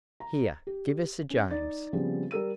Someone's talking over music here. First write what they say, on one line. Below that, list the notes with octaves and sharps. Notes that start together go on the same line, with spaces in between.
"Here, give us a james."
A#5
G4
C#4
D#4 D5 A6
C#3 F3 G3 B3 C4 G#4
G3 A#4 E6 D#7